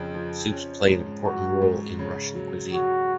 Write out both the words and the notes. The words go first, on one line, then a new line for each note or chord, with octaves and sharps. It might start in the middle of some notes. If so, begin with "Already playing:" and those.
Soups play an important role in the Russian cuisine.
Already playing: F2 C#3 F3
F3
C#4
G#2
F#3 F#4
G#2
C#3
F#3
F#3 F#4